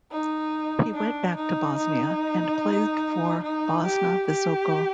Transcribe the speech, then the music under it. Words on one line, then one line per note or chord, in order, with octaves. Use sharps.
He went back to Bosnia and played for Bosna Visoko.
D#4
D4
D#4
D#4
D#4
G4
G4